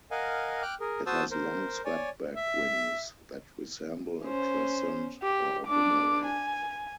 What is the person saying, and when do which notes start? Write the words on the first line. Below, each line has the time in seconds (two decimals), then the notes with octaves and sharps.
It has long swept-back wings that resemble a crescent or a boomerang.
0.11 A#4 D#5 F5 F#5 G#5
0.62 G5 D6 F6 F#6
0.80 G#4 A#4
1.06 F#4 C5 A5 D#6 E6
1.31 A#4 C5
1.85 C#5 D5 G#5
2.36 E5
4.24 C#4 C5
5.23 G4
5.67 D4 D6
6.25 G#5